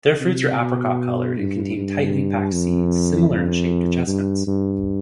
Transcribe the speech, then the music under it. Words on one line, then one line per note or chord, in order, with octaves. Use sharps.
Their fruits are apricot-coloured and contain tightly packed seeds, similar in shape to chestnuts.
C3
B2
G2
G2
F2
F2
G2
G2